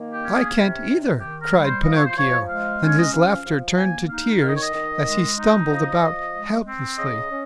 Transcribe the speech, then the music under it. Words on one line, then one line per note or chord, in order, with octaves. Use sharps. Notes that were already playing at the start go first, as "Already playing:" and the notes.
"I can't either," cried Pinocchio; and his laughter turned to tears as he stumbled about helplessly.
Already playing: D#3 A#3
G4
C#4
G#4
C3
C3
D#3 G4
A#4
G3
C5
F3 D#5
C#5
C5
F3 C#5
G#3 F5
C#4 C#5
D#5
F3 F5
F3
A#3 G#5
D#4 F5
D#3 F5
D#5
C#5
D#5
D#3
G#3
D#4
F3 D#5
F3
G#3
C4
C#3 D#5
C#4